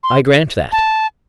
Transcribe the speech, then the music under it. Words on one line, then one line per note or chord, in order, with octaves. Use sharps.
I grant that.
C6
A5